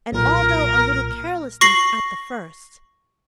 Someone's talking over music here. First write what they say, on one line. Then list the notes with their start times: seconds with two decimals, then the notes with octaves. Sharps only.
And all though a little carelessness at the first.
0.12 B1 A#2 A#4
1.61 C#6 A#6 C7 F#7